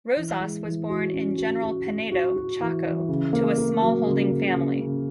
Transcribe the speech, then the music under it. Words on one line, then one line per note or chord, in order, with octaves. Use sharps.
Rozas was born in General Pinedo, Chaco, to a smallholding family.
E3
G#3
E3
F#4
C#4
F#4
F#4
F#4
F#4
F#4
E3
E3
C#3
A#3
A#3
F#3
C#3
C#3
C#3
C#3